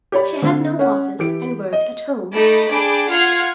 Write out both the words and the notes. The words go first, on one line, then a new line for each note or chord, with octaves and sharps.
She had no office, and worked at home.
G4 C#5 D5 B5
D3 C4 D4
C#4 F#5
E3 G4 D7
D#5
A3 D#4 D#5 B5 D6
D4 G#4 G5 B5 D6
F4 F#5 F6 G#6 C7